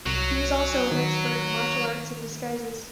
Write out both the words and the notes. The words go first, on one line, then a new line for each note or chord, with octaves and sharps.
He was also an expert in martial arts and disguises.
C2 F#3
D#3